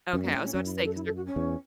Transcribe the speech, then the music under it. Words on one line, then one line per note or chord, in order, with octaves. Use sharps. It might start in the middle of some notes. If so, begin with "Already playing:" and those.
Okay, I was about to say, 'cause they're
F#2 C#4
B3
A2 C#4
C#4
F#2 C#4
E4
B4
A4
E4
A4
F#4
C#4
E2